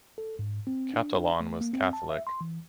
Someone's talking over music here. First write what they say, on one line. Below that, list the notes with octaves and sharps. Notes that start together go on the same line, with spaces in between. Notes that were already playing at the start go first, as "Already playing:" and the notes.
Catalon was Catholic.
A4
G#2
C4
D4
A3
A#3
C4
A5
E5
C6
E3